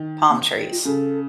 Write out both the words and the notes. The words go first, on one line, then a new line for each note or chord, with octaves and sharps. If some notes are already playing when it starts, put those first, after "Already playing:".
palm trees.
Already playing: D#3
A#3
F4
C#3 A4